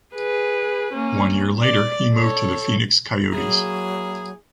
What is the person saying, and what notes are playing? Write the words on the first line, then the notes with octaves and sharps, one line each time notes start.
One year later, he moved to the Phoenix Coyotes.
G#4 B4
A#3 C#4
D5
A4 C#5
F#3 A#3 E4 G#4